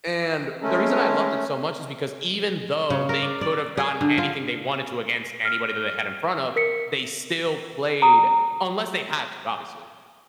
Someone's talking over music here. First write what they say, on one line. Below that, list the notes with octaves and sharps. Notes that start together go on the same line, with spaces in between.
And, the reason I loved it so much is because even though they could’ve gotten anything they wanted to against anybody that they had in front of, they still played unless they had to, obviously,
G#3 A3 C#4 A4 A#4
C#3
A#4
D5
D5
G#4
D3
F4
F6
A#4 B6 C#7
A#5 D#6